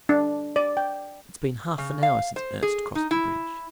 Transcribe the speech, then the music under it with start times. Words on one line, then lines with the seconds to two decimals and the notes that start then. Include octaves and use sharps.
"It's been half an hour since Ernst crossed the bridge."
0.09 D4
0.56 D5
0.77 G5
1.78 C#3
2.03 F5
2.36 C5
2.62 G#4
2.95 D#4
3.11 E4